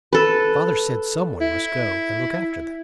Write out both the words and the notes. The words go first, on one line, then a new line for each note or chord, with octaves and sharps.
Father said some one must go and look after them.
A4 B4
E4